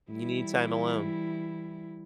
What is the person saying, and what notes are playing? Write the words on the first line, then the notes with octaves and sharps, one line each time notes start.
You need time alone.
E3 G3 E4